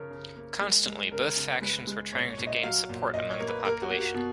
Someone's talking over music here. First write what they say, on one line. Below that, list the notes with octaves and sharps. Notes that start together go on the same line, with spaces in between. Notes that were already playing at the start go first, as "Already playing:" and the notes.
Constantly, both factions were trying to gain support among the population.
Already playing: C#3 F3 A#4 C#5
C#3
A#3
G#3
G#3
C#3 A#4
C#3
G#3 B4
G#3
A#2 C#5
C#5
A#2
D#5
F#3 F5
A#2
A#2 D#5
C#5
A#3
B4
A#3 A#4
F#4
A#3
F#4
B2